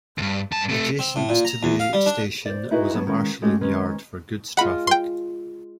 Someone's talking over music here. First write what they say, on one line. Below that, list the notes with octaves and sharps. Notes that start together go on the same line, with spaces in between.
Adjacent to the station was a marshalling yard for goods traffic.
D2 G2
G2 A5
C3 A3
C4
A2
A#2
A#5
E2
F5
G3
D4
C5 D5
D#4 E4 F#4 G#4 B4 D#5
F#3 B3 D4
D#3 G#3 C#4 F4
G#3 A3 C#4 F#4 G4
D#3 G#3 C4 C#4 B4
G#3 F4 F#5 B5
G5 C6